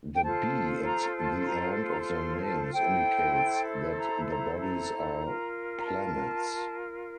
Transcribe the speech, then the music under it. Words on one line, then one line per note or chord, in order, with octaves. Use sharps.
The 'b' at the end of their names indicates that the bodies are planets.
G5
F4 A4 C5 A5
A#5
A5
C6
A#5
C6
A#5
C6
C6
A5
E4 A4 C5 G5
A#5
A#5
A#5
F4 A#4
A#5
A5